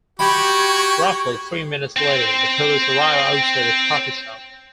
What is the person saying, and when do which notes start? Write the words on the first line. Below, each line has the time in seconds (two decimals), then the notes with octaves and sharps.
Roughly three minutes later, the police arrive outside the coffee shop.
0.19 F#4 G4 G5 B5 C#6 G#6
1.96 C4 C5